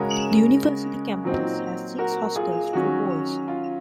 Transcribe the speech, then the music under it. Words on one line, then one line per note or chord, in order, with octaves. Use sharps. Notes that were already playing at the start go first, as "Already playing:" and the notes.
The university campus has six hostels for boys.
Already playing: C#3 G#3 C#4 F#4 A#4
A#2 F#3 C4 D#4
F#4 A#4
F4 G#4
D#3 F#3 C#4 F#4
F4